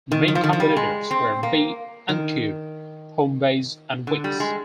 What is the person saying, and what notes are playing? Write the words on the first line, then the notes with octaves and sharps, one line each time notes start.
The main competitors were B and Q, Homebase and Wickes.
D#3
D#3
F3
D#3
F3
G3
G#3
C4
A#3
D#3
D3
G3
G#3